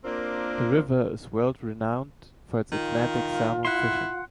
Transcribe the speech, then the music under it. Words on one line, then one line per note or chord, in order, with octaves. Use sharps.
The river is world-renowned for its Atlantic salmon fishing.
A#3 C4 D4 F4 A#4
D#3 F4
E4 F#5 C6